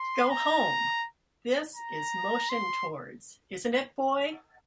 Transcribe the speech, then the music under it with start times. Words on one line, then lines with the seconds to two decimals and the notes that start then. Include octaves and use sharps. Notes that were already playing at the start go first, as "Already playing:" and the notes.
"Go home", this is motion towards, isn't it, boy?
Already playing: C6
0.30 A#5
1.76 A#5
2.50 C6